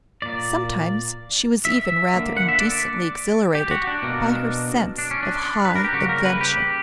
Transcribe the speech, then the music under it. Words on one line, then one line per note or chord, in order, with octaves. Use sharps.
Sometimes she was even rather indecently exhilarated by her sense of high adventure.
A#2 A#3 D5
E5
D3 A#3
F#5
E5
D5
G4
F#4
D4
B2 A#3
D4
C#4
D4
B4
A#4
G4
C#3 G3 A#3 F#4
A#4
B4
G4